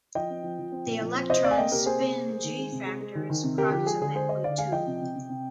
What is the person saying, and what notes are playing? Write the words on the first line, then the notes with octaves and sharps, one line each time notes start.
The electron spin g-factor is approximately two.
F3 D#5 G5
C4
F3
F3
C4
A#2
F3
C4
C3 C5 D#5
C3 D5 F5
G#5
A#3 D#5 G5
C3 G4 A#4
A#3 G#4 C5
C3
A#3
A#3
D#3
G#3
C3
G#3
G#3
D#3
D#3
C3
D3 G4 A#4
F3 G4
G#3 G#4
D3 G#4
G#3 G#4 C5
D3 C5 D#5
D3 D5 F5
G#3 F5 G#5
F3 D#5 G5
C3
C3
C3
C3